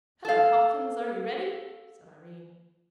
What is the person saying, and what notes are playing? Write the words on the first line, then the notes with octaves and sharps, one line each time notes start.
"Hullo, Hopkins, are you ready," said Irene.
A4 F5